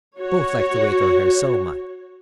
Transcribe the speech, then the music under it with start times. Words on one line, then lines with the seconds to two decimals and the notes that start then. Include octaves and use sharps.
Both liked to wait on her so much.
0.21 F#4 C#5